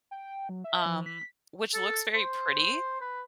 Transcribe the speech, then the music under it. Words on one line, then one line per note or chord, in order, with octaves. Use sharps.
um, which looks very pretty
G5
F#3
E5
F3
B6
A4
C5
B4